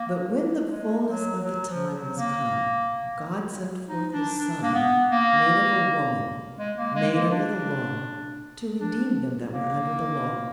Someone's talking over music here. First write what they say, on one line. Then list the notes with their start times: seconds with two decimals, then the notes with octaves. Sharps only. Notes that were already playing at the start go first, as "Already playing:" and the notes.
But when the fullness of the time was come, God sent forth his Son, made of a woman, made under the law, to redeem them that were under the law.
Already playing: A#3
0.69 G#3
1.06 F#3
1.43 F#3
1.68 F3
1.92 F#3
2.17 A#3
3.89 D#4
4.13 D4
4.38 D4
4.63 A#3
4.74 B3
5.11 A#3
6.58 G#3
6.77 A#3
6.95 G#3
7.15 A#3
7.32 D4
8.80 D4
9.53 A#3